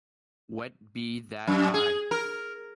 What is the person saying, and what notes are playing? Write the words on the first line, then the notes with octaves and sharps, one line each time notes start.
Wet be that eye.
F#2
G#4
A#4